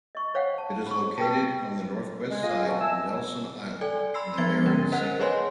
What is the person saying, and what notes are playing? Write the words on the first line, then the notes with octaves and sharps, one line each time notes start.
It is located on the northwest side of Nelson Island in the Bering Sea.
D#5 C#6
C5 C#5 F5 F#5
A5
B5 C#6
B4 G5 A5
G#3
F4 G#4 D#5
E2 B2
E5 G#5 A5 E6
A4 D5 G#5
B5 C6 E6 C7
F3 B3 C5 G#6 A6 G7
D3 C#4 A#4
A#4 C5 D#5 F#5 F#6
G#4 B4 C#5 D#5 G#5 C6